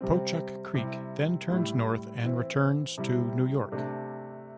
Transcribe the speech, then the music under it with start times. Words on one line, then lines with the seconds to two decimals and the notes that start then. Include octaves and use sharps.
Pochuck Creek then turns north and returns to New York.
0.01 C3 G3 C4
0.75 C3 G3 E4
1.49 A2 G3 E4
2.23 E3 C4 E4
2.98 C3 G3 E4
3.72 C3 A3 D4